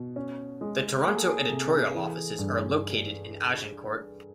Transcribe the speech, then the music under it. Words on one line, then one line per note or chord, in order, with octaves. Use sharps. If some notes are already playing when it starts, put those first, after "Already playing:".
The Toronto editorial offices are located in Agincourt.
Already playing: B2
C#4
G#3
A#3 G#4
A4
G#4
C3
E3
G2